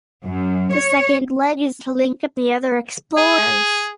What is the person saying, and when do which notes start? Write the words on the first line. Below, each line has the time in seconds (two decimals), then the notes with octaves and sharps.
The second leg is to link up the other explorers.
0.25 F#2
0.73 C#5
3.17 G#4